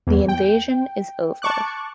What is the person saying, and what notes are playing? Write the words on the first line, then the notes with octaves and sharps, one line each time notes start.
The invasion is over.
E2
G5
A5 C#6 D6 F#6